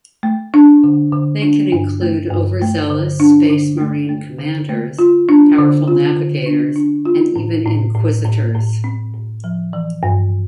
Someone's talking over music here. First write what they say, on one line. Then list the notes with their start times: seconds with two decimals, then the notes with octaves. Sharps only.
They can include overzealous Space Marine Commanders, powerful navigators and even Inquisitors.
0.23 A3
0.54 D4
0.84 D3
1.13 D3
1.42 D4
1.72 G2
2.01 A3
2.31 G2
2.61 A3
2.90 D3
3.20 D4
3.49 D3
3.80 A3
4.09 A3
4.39 D3
4.69 A3
4.99 F4
5.29 D4
5.58 D3
5.88 F4
6.17 D3
6.46 D4
6.76 D4
7.05 F4
7.36 A2
7.65 A2
7.95 A2
8.25 A2
8.55 A2
8.84 C4
9.14 A2
9.44 F3
9.73 E3
10.03 G2